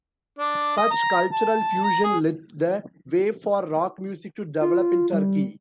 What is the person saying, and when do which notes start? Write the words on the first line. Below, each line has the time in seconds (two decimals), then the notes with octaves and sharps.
Such cultural fusion led the way for rock music to develop in Turkey.
0.39 D4
0.77 D#5
0.91 A#5
1.32 A5
1.83 A#5
2.04 G#4
4.61 F4
5.12 G3